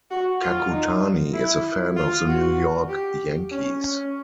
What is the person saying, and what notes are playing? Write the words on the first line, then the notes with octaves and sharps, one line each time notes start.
Kakutani is a fan of the New York Yankees.
F#4
F4
D#4
E4
F4
F#4
G4
C#4
C#4